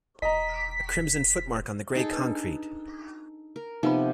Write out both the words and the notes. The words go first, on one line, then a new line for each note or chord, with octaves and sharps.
A crimson footmark on the grey concrete!
E1 D#5 A#5 B6
D#4 G#4 A4
D4 B4
A#4
C3 F3 B3 D#4 B4 B5